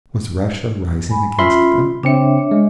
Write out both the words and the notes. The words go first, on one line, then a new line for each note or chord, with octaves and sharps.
Was Russia rising against them?
G#5 B5
C#4 F4 E5 B5 C6
C#3 C4 D4 C#5 E5 C#7
G#3